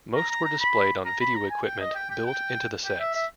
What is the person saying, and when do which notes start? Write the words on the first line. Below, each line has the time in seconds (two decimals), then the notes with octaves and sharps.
Most were displayed on video equipment built into the sets.
0.16 A#5
0.30 A#5
0.45 A#5
0.60 B5
1.06 A#5
1.21 B5
1.36 A#5
1.50 G#5
1.66 G5
1.80 D#5
1.95 G5
2.10 G5
2.25 G5
2.85 G5
3.00 E5
3.15 E5